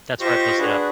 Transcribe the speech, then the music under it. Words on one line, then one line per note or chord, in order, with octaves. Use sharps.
That's where I posted up.
F4 G4 C5 D#5 C#6
D4 F#4 G#4 B4